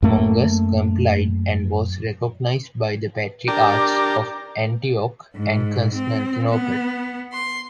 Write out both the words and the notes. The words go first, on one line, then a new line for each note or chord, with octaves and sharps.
Mongus complied and was recognized by the Patriarchs of Antioch and Constantinople.
F#2 A3 A#3
D4 G4 A#4
G#2
C4
B3
C6